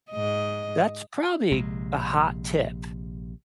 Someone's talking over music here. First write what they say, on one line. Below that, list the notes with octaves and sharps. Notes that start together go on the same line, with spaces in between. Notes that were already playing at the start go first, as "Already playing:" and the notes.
that's probably a hot tip.
G#2 D#5
A#1 C3 G#3